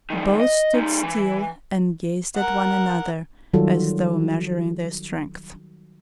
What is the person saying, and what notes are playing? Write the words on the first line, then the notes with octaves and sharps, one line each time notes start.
Both stood still and gazed at one another, as though measuring their strength.
G2 D#3
D#5
G3 D#4
E3
A#4 F#5
D#3 F#3 G3 F4 F#4 A4